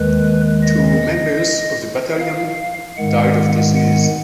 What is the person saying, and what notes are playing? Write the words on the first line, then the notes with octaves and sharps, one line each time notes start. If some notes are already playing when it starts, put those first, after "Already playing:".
Two members of the battalion died of disease.
Already playing: D#2 D#3 G#3 B4
D#5
F5
G#2 D#3 G#3 F#5
F#5